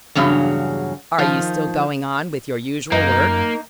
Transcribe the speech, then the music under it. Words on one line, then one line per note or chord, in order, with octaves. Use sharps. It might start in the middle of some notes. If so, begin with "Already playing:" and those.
"Are you still going on with your usual work?"
E2 G2 C#3 F#3
D#3 F3
F#2 A#3 D#4